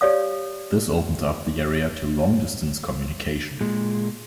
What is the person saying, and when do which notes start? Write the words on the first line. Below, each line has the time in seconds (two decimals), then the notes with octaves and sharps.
This opened up the area to long-distance communication.
0.01 G4 C#5 D5 F5 D#6
3.61 A#2 G#3